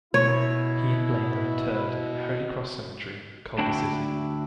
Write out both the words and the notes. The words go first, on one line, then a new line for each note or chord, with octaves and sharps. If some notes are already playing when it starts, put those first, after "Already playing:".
He and Blane are interred in Holy Cross Cemetery, Culver City.
B2 E4 C#5
D2 D4 E4 F#4 G5